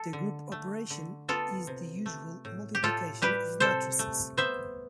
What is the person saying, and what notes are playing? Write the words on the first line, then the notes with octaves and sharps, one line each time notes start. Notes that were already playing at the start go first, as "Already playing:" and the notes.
The group operation is the usual multiplication of matrices.
Already playing: A4
D3
A3
D3
B3 F4 A4
C3
A3
A2
G4
A2 F4 A4
G3 G4 B4
C3 A4 C5
A3
B3 C5 E5